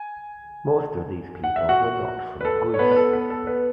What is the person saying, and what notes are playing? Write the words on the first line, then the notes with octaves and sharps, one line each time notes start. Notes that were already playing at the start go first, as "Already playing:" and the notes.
Most of these people were not from Greece.
Already playing: G#5
F#5
E5
F#4 F#5
B4
A4
C#5
B3 B4
B4
A4
B3 B4
A4
B3 B4